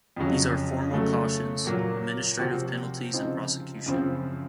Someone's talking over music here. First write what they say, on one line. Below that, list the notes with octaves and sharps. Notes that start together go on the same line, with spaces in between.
These are formal cautions, administrative penalties and prosecution.
F2 C#3 F#3
C#3 F#3 A3
A#2 F#3 A#3
C3 F3 C4 F#4
C#3 F3 C4 D#4
F#2 C#3 F3 C4